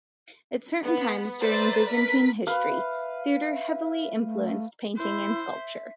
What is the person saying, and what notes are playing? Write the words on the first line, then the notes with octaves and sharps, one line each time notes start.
At certain times during Byzantine history, theater heavily influenced painting and sculpture.
B3
B4 C5 D5 E5 A#5 A6
A#4 B4 B6
F#4 B4 F5
E5
E5
A3
E4 C5
E5